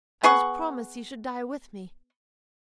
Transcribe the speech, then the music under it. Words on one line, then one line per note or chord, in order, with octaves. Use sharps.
I was promised he should die with me.
B3 G#4 F#5 C#6